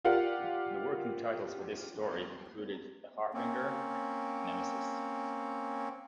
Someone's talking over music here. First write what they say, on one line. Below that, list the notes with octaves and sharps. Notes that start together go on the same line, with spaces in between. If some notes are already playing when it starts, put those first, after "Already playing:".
The working titles for this story included "The Harbinger" and "Nemesis".
F4 G4 A#4 D5 F5 F#5
A#3 C4 C#4